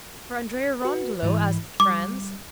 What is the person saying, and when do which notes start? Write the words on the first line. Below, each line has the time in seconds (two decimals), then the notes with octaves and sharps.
"For Andrea Rondolo?" asked Franz.
0.82 F#4 B4
1.23 G#2 E3
1.80 G3 D6